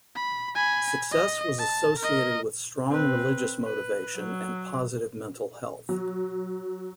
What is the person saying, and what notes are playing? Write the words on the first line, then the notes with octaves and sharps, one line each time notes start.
Success was associated with strong religious motivation and positive mental health.
B5
G#5 B5
D#5
A5
A#4 D#5
C4 B4
B4
F#3
F#3